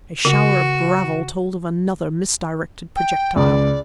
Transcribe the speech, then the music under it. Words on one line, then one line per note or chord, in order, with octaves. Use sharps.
A shower of gravel told of another misdirected projectile.
C#3 F#4
G5
C#2 D5